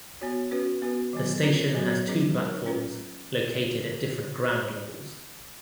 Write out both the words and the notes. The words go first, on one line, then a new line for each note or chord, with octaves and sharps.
The station has two platforms located at different ground levels.
B3 F#4 C#5
C#4 F#4 B4
B3 F#4 B4
D#3 F#3 B3
C#4 F4 A#4 C#5
F#3 B3 F#4 C#5
F#3 C#4 G#4 B4
G#3 D#4 A#4 C#5
C#4 F4 B4